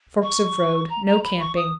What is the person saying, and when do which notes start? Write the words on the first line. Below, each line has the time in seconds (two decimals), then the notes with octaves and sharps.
Forks of Road.--No camping.
0.23 C#6
0.89 A#5
1.06 A#5
1.23 B5
1.39 C#6
1.56 D#6